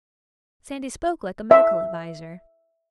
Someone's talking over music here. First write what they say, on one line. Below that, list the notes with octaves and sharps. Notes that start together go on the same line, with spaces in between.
Sandy spoke like a medical adviser.
E5